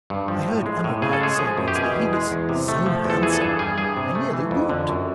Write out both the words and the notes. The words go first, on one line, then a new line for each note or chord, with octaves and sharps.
I heard Emma White say once that he was "so handsome"; I nearly whooped.
G2
F3
A2
G#3
A2
C#3 G#4
A4
G#3 G#4
F3 G#4
F#2
G4
B2 G#4
E2
G#3
E2
C3
A3
F3
E2
A4
E3 G#4
A4
G2 G#4
G3 G#4
G2 G#4
C3
A3
E3
F2
D3
F#2